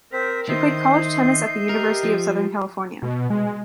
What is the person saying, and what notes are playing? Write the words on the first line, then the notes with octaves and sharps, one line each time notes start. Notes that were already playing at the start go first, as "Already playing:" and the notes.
She played college tennis at the University of Southern California.
C4 A#4 C5 B6
D#3 C5 D#5 E5 G6 C7
G4 A#4
F3
B2
G#3